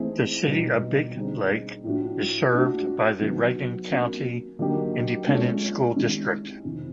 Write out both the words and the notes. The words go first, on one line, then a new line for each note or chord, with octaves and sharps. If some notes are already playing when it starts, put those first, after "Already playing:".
The City of Big Lake is served by the Reagan County Independent School District.
Already playing: E3 A3 C4 D#4 G#4
B2 G3 B3 D#4
D3 G3 C4 D#4 G#4
A2 F3 A3 D4 F#4
A3 D4 F#4
C3 D#3 F#3 B3
A#3 C#4 F#4
D3 F#3 A#3 D#4 G4
G#3 C#4 F4 A4 C#5
D#3 G#3 C#4 E4 G4
F2 C3 D#3